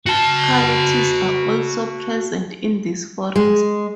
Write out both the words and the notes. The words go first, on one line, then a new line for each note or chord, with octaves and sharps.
Coyotes are also present in this forest.
F#4 A5
G#3